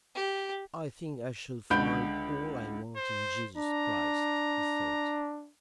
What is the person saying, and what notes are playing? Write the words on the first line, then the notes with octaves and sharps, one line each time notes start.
"I think I shall find all I want in Jesus Christ," he said.
G4
C#2 D3 B5 G6 D7
C5
D4 A#5